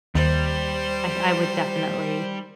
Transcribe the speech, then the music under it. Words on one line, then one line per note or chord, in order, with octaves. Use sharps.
I I would definitely
D#2 G3 C5